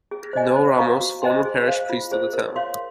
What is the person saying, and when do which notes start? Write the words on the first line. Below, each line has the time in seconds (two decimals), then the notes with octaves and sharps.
Noe Ramos, former Parish Priest of the Town.
0.11 G#4
0.33 C5 D#5 G#5
0.56 C5
0.78 F5 A#5 C#6
1.00 F#4
1.22 C5 D#5 G#5 C6
1.45 G#4
1.67 C5 F5
1.89 F4
2.11 G#4 C5
2.33 A#4
2.56 C#5 F5 C6